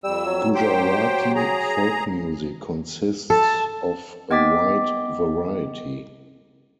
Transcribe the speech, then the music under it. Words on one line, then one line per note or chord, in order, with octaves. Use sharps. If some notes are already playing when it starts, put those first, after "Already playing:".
Gujarati folk music consists of a wide variety.
F2 G3 E6
F#3
G4 C5 G5
G#4 A#5
A4 A5
B3 D#5 G5 D6 A6 B6